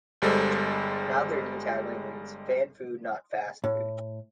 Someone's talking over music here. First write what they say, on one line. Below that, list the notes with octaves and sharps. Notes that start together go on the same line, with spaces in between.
Now, their new tagline reads, "Fan Food, not Fast Food".
G1 G3 G#3 A4 C5
A2